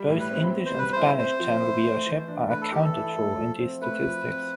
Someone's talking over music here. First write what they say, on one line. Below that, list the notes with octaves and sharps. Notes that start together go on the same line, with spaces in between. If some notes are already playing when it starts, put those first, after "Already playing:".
Both English and Spanish channel viewership are accounted for in these statistics.
Already playing: G3
A2
B4
C4
B3
C5
G3 B4
E4 C5
C4 C5
F3
E4
A3
E3
D4
A3 B4
A4
E3 G4
A4
E4
A3
F3
C4
A3 B4
F3
C4